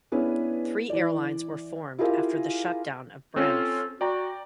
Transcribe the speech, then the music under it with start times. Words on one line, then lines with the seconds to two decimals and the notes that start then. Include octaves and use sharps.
Three airlines were formed after the shutdown of Braniff.
0.12 B3 C#4 D4 E4 G#4 B4
0.90 E3 D5
1.99 E4 F4 G4 G#4 A#4 F5
3.36 C4 C#4 F4 A4
4.01 F#4 D5 G5 A#5